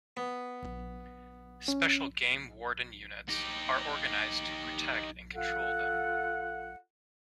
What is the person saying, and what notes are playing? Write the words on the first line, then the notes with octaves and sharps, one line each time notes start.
Special game warden units are organized to protect and control them.
B3
C#4
D#4 G4
F4 A4 F#5